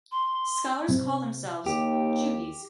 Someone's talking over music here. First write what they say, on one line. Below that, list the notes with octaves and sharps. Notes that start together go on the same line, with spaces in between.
Scholars call themselves "Jeugies".
C6
C3
D#2 G4